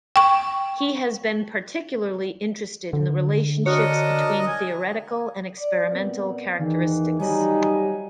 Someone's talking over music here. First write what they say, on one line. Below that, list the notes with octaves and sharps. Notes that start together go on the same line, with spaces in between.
He has been particularly interested in the relationships between theoretical and experimental characteristics.
G5 C#6
D3
D4 F#4 A#4 C#5 D#5
G#5
D5
A#2 B3 C4
E2 D#3 E3
F#3 G3 A3 C#4 D#4 B4 G#5